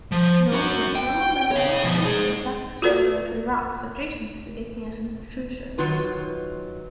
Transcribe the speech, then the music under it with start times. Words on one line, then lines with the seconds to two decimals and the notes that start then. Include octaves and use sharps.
Zones of thermal metamorphism affect the sedimentary rocks adjacent to the igneous intrusions.
0.12 F3
0.52 C#4 F#4
0.95 G5
1.52 C#5 F5
1.83 B2 F3
2.01 D#4 G#4
2.82 F4 F#4 A4 B4 D5
5.78 D#3 F#3 F4 B4